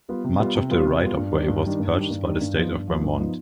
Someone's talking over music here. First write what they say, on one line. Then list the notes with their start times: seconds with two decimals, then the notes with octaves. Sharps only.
Much of the right-of-way was purchased by the State of Vermont.
0.09 G3 B3 F4
0.24 C3
0.39 G3 B3 F4
0.55 C3
0.70 G3 B3 F4
0.86 C3
1.02 G3 B3 F4
1.17 G2
1.32 D#3 G3 D4
1.48 G2
1.64 D#3 G3 D4
1.80 G2
1.95 D#3 G3 D4
2.10 G2
2.26 D#3 G3 D4
2.41 G2
2.57 F3 B3 D#4
2.72 G2
2.88 F3 B3 D#4
3.04 G2
3.19 F3 B3 D#4